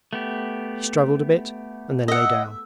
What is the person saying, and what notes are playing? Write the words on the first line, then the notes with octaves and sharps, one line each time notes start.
He struggled a bit and then lay down.
A3 B3 G4
D#5 E5 F#5